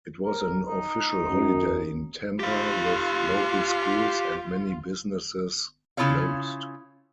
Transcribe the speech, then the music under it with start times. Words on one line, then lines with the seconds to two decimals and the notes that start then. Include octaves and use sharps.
It was an official holiday in Tampa, with local schools and many businesses closed.
0.25 A#4
0.64 D#4
1.29 F#2
2.40 F4 G4 F5
5.97 C#3 E4 F4 C#5 F5